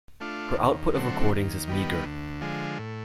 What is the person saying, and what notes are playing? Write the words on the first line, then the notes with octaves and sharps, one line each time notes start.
Her output of recordings is meager.
A3 D4 F4
D#2
D3 F#3 A3 C4
D#2
D#3 G3 B3
D2
D3 F3 G#3
A2